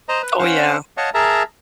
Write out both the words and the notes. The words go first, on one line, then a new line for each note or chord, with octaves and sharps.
Oh, yeah.
C5 D#5 A#5
B4
C#4 C5 F5 F#5
C#5 D#5 F5 F#5 A5 C#6
G#4 A#4 E5 A5 A#5